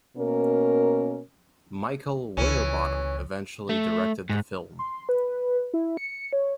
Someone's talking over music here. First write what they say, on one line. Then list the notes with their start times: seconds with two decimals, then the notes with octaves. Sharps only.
Michael Winterbottom eventually directed the film.
0.16 B2 A#3 C#4 A#4
2.37 C#2 E3 C#4
3.69 A3
4.30 G#2
4.79 C6
5.09 B4
5.74 E4
5.97 C#7
6.33 C#5